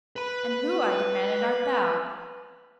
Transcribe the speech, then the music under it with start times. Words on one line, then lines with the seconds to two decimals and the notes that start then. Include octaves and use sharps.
"And who," I demanded, "art thou?"
0.16 B4 B5